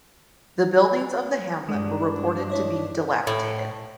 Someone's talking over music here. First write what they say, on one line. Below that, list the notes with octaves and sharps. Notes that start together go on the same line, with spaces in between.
The buildings of the hamlet were reported to be dilapidated.
G2 G#3 D4
E4 C#5 D#5
A2